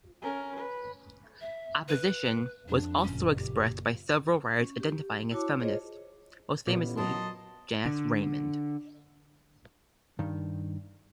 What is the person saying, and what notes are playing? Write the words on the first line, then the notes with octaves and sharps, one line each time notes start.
Opposition was also expressed by several writers identifying as feminist, most famously Janice Raymond.
C#4 A#4
B4
E5
B4
F2 D4
F#1 A#2 C#4
G4
C#4
G4
E4 F#4 C#5 A5 D6
F4 G#4 C5 C#5 D#5
A1 A#2 B3
F#3 A3 A#4 D#5 A5 C6
D3
G2 D#3